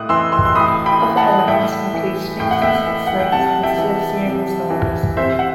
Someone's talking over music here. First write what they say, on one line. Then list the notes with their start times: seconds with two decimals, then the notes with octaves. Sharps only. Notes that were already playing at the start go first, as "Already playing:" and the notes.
Other elements include sphinxes, snakes, and celestial mosaics.
Already playing: A2 D#6 F#6
0.09 E3 C6 E6
0.32 C6 E6
0.45 C6
0.55 A2 B5 D#6
0.86 G5 B5
1.02 E3
1.17 F#5 A5
1.48 A2 E5 G5
1.94 E3
2.40 A2 G5
2.51 F#5
2.62 E5 G5
2.86 E3
3.07 F#5
3.20 G5
3.32 C3 F#5 A5
3.63 E5 G5
3.78 E3
4.25 C3
4.70 E3
5.17 C3 C5 E5
5.39 F#5